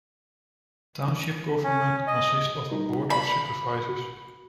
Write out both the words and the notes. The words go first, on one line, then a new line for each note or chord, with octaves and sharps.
Township government consists of a board of Supervisors.
C#4
D#5
G3 D#4 A#4
D5 F5 B5
F#4